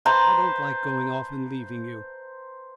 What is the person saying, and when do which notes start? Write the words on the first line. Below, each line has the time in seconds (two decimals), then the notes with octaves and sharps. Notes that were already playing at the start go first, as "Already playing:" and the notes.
"I don't like going off and leaving you."
0.05 B4 C5 A5 A#5